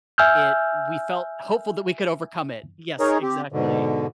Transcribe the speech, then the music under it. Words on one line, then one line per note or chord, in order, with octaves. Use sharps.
it we felt hopeful that we could overcome it. Yes, exactly.
E5 G#5 E6 F6 G6
D#4 G#4 A#4 C#5
C4 G4
G#2 B2 D3